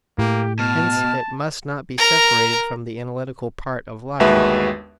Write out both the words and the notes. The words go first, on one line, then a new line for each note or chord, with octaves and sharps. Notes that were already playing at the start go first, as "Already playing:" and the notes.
Hence it must not be separated from the analytical part of logic.
A2 A#3 G4
B2 A5 F6
A#4 A#5
G1 D#2 G#3 F#4 B4 E5